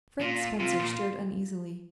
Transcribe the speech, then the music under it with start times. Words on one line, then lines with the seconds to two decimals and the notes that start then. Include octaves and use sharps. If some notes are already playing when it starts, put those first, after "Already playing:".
Frank Spencer stirred uneasily.
0.20 A#2 F4
0.60 C3 F4
0.79 A#2